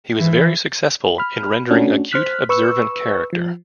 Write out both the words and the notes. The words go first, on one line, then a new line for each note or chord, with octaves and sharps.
He was very successful in rendering acute observant character.
E3
B5 F6
A3 C#4 D4 F#4
C5 F6 F#6 B6
B4 C#6 E6
F3